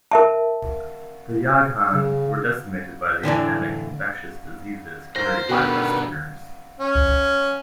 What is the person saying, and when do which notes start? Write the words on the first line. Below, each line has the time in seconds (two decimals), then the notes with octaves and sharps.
The Yaghan were decimated by the endemic infectious diseases carried by Westerners.
0.11 A#4 E5 A5
1.94 C#3
3.23 A2 D3 E3 D4
5.16 C4 F4 A#4 C5 A#6
5.49 B2 D3 D#3 G3 B3 F#4 B4 G5
6.80 C#4